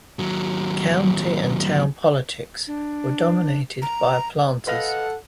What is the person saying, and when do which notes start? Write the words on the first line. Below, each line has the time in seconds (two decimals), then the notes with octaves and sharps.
County and town politics were dominated by planters.
0.19 D#2 F#3
2.67 D4
3.82 A#5
4.67 A4 B4 D#5 F5 F#5